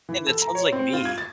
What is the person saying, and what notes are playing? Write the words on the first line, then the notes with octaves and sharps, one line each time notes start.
And that sounds like me.
E3
A4
A#5
C#5
C4
F4
G#6
A6